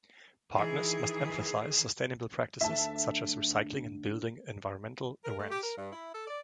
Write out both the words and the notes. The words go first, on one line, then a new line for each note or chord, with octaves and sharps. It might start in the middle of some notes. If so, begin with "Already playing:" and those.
Partners must emphasize sustainable practices such as recycling and building environmental awareness.
D#3 E3 G#4
D2 E5 A5
A#4
A3
G4
A#4
G2
E4
A4
D5